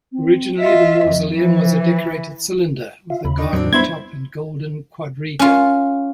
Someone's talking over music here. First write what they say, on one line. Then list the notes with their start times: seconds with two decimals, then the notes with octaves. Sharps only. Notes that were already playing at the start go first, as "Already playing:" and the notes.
Originally the mausoleum was a decorated cylinder, with a garden top and golden quadriga.
0.12 C4
0.59 F4 D#5 E5
1.05 F2
1.36 E3 F3
3.10 F4 E5 F5
3.25 D#2 C#3 B5
3.37 D4 D#4
3.53 E2 A2 F#3 C4 D4
3.73 G3 B3 D4 E4 C5 B5 G#6
5.39 C#4 F4